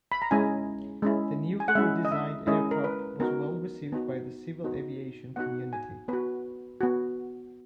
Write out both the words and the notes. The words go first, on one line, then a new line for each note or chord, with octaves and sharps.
The newly redesigned aircraft was well received by the civil aviation community.
B5
A#5
G#3 C#4 E4 G#5
G#3 C#4 E4
G#5
F#5
G#3 C#4 E4 E5
D#5
E5
G#3 C#4 E4 D#5
A#4
B4
B3 D#4 F#4 A#4
B3 D#4 F#4
B3 D#4 F#4
B3 D#4 F#4 F#5
G#5
B3 F#4 B4
B3 F#4